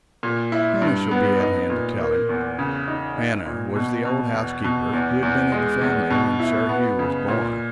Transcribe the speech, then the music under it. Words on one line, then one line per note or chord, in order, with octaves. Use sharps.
"Hannah shall be at hand to tell him." Hannah was the old housekeeper, who had been in the family when Sir Hugh was born.
A#2
E4
G2
B3
D#4
A#2
A#3
E2
C#3
D#4
D#4
A#2
B2
B2
E2
B2
E2
E2
G#3
E2
B2
E4
B3
C#3
A#2